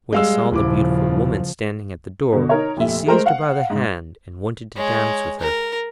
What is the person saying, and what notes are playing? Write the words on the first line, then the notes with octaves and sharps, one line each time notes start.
When he saw the beautiful Woman standing at the door, he seized her by the hand, and wanted to dance with her.
G3 G#3 F5 E6
D#1 C#3 F3 E4 D6
B2 D3
D#4 A#4 C#5
F1 A#2 E5
G#3 A3 A#4 C5
F5 F#5
G#2
G#3 C#5
A#4